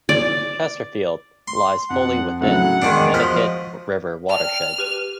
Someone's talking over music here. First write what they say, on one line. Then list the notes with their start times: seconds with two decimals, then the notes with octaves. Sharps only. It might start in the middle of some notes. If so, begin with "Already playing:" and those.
Chesterfield lies fully within the Connecticut River watershed.
0.09 D5
1.48 C6
1.90 F2 F#5
2.41 A2 C#3 F#3 F#5
2.82 E2 D#3 G#3 D4
3.14 F3 F#4 D#5 F6 B6
4.29 D5 G5 A5 F6
4.78 G4 B4 D#7